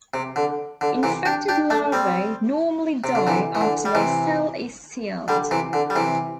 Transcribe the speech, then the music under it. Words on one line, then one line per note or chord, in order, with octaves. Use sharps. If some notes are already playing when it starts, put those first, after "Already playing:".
Infected larvae normally die after their cell is sealed.
C3
D3
D3
C3 E3
D4 G4
D4 G4
A3 D4
G3 C4
C3
D3
C3 E3
E3
D3
G3
C3 E3
D3 G3
C3 E3
D3
G3
C3 E3